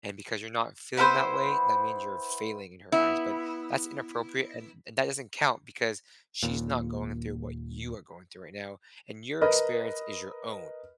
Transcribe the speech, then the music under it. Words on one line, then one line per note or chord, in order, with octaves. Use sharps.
And because you're not feeling that way, that means you're failing in her eyes. But that's inappropriate, an and that doesn't count because she's not going through what you are going through right now, and your experience is your own.
B3 E4 A#4 C5
B3 E4
D#1 D#2 A#2
A#4 B4 D#5